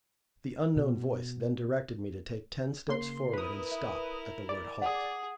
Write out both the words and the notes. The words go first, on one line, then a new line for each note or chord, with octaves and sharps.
The unknown voice then directed me to take ten steps forward and stop at the word halt.
B2
C#3 A#3 C6
E4 A#4 B4 D#6
E5
D5
G#4 F#5 D#6